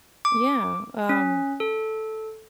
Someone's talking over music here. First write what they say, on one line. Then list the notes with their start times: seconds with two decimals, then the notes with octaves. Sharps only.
Yeah, um,
0.25 D6
1.09 C#4
1.60 A4